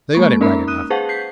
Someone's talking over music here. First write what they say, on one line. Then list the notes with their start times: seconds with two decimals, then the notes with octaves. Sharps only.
They got it right enough.
0.15 G#3 A#3 C#6
0.41 C#4 D#4 A#4 E5 A#5 B5
0.68 D#6 F#6 D#7
0.90 G#4 B4 C5 F5 F#5 A5
1.09 G6 B6 C7